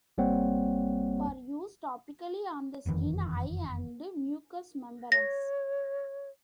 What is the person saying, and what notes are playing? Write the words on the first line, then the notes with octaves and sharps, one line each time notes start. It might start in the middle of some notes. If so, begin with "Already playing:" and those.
For use topically on the skin, eye, and mucous membranes.
G#1 G3 A#3 C4 C#5 F#5
F#1 F2 D#3 E3
C#5 A#6